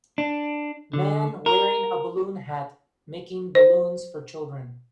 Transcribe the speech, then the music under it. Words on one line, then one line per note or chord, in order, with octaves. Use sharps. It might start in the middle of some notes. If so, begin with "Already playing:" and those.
Man wearing a balloon hat making balloons for children.
D4
D3
A#4
C5